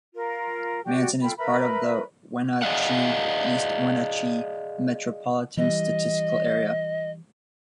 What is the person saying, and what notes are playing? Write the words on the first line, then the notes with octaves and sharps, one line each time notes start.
Manson is part of the Wenatchee-East Wenatchee Metropolitan Statistical Area.
F4 A#4
F#4 G4 D5 G5
F4 A4 G5 B5
A#4 B4 E5 B5
G#4 D5 D#5 F5 F#5
E3 G3 D#5